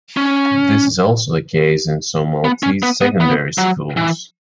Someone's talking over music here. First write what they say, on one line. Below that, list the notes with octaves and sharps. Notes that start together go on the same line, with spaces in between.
This is also the case in some Maltese secondary schools.
C#4
B3
C#4
B3
B3
B3
F#3
E3